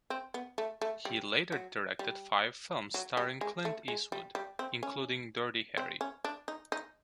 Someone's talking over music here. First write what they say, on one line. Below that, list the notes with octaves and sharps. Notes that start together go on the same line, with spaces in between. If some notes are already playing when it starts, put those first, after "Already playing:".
He later directed five films starring Clint Eastwood, including "Dirty Harry".
C4
B3
A3
A3
G3
F#3
G3
F#3
G3
G#3
A3
G#3
G3
G3
C4
C#4
C4
C#4
D4
D#4
D#4